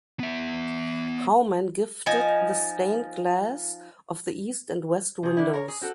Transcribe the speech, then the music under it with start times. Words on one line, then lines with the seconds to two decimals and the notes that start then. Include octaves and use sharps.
Howman gifted the stained glass of the east and west windows.
0.20 B3 E5
2.06 F3 D#4 G#5
5.23 C3 G#4
5.37 D3 E4
5.53 A#4 C#5
5.68 G#4
5.81 C4 F#4 A4